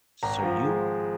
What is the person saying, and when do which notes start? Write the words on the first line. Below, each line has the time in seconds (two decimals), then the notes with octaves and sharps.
So you
0.23 G#1 A#5
0.43 F3
0.65 G#3